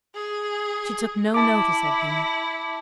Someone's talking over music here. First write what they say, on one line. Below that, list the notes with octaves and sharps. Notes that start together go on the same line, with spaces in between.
She took no notice of him.
G#4
E4 A5 D6